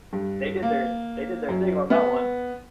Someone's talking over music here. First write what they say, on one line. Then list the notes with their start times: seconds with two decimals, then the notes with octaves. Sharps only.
they did their they did their thing on that one.
0.13 G2
0.63 A#3
1.48 F#2
1.90 B3